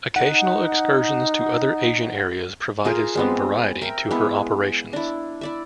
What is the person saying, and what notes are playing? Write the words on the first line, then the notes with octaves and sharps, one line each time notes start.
Occasional excursions to other Asian areas provided some variety to her operations.
D#4 F#5
F4 G#4 A#4
G#3 B3 C4
A#4 E5 G5
G#3 B3 E4
D4 E4
E4 D5 E5